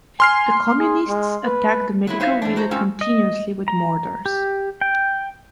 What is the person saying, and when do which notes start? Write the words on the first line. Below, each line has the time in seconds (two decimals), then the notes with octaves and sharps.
The communists attacked the medical villa continuously with mortars.
0.20 G#5 C6 F6 C7
0.78 G#4
1.08 G#3
1.45 B4
2.07 F#3 G#3 E4
2.20 D#4 F#4 C5 C#5 E5 F5
2.42 E2 A3 D4
2.56 F#4 C5 A#5
2.71 C4 C#4 F4 C5
3.01 D#5
3.68 A#5
4.26 G4
4.81 G5